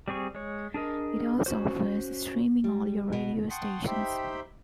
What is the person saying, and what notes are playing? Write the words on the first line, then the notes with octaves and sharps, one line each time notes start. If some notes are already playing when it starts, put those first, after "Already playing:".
It also offers streaming audio radio stations.
G3 C4 G#4 C#6
G#3 C#5
D4 G#4 A#4 D#5
C#4 F#4 C5
G3
B2
F#5 G5 A5 C6 C#6 D#6
D#4 G4 C5 E5 G5 B5